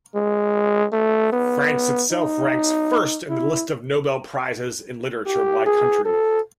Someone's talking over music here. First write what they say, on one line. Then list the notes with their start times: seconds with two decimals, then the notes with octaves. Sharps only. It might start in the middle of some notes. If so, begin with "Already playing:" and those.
France itself ranks first in the list of Nobel Prizes in literature by country.
0.15 G#3
0.93 A3
1.32 B3
2.11 D#4
3.29 E4
5.26 G4
5.66 G#4
6.05 A4